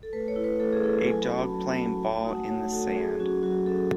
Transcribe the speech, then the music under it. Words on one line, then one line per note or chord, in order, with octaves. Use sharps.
A dog playing ball in the sand.
A4
A3 B4
C#5
E4
B4
A3 A4
G#4
E4 A4
F#3 G#5
B5
C#4 F#4
A5
F#3
C#4 F#4
A3 G#5
A5
D#4 F#4 F#5
G#5
A3 C#5
D#4 F#4 A4
F#4
F#3 G#4
C#4 F#4
F#3 F#4
C#4 F#4 A4